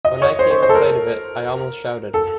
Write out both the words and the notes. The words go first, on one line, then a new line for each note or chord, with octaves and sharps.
When I came in sight of it I almost shouted.
D#5
C#5
C5
C5
C5
A4
A#4
A4